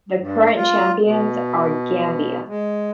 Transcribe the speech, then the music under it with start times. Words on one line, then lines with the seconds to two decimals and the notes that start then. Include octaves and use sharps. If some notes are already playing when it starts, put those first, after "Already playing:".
The current champions are Gambia.
0.19 G2
0.56 F4
1.05 B2
2.48 G#3